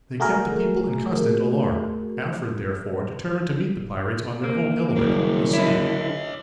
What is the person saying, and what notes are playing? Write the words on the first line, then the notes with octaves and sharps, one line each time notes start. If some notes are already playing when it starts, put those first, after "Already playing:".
They kept the people in constant alarm. Alfred therefore determined to meet the pirates on their own element, the sea.
A3 F#4 G#4 A#4
A#3
F#1 D#3 G3
D3 E4 C#5 D#5